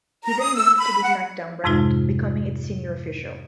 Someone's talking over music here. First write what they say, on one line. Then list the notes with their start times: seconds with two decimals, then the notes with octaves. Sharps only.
He then moved to the Smackdown brand, becoming its senior official.
0.24 A#5
0.39 D#6
0.55 E6
0.77 B5
1.03 F#5
1.64 F2 G#2 C3 G#3 D#4 F4